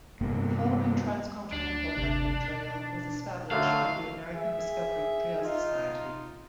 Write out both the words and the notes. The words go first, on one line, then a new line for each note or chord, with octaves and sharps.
The following transcontinental hiking trail was established by the American Discovery Trail Society.
G2 C3 A#3 B3
D2 D4
G1 D2 C3
B2
D3 F#3 A3 F5
G#4 E5
D#4 F4